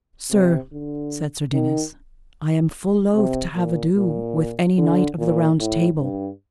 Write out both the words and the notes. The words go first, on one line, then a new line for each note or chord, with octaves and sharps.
Sir, said Sir Dinas, I am full loath to have ado with any knight of the Round Table.
C3
D3
D#3
C3
A#2
A#2
D3
A#2
A2
G2